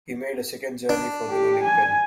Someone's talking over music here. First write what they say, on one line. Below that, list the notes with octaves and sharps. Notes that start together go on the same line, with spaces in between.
He made a second journey for the rolling-pin.
D4
G4
G#5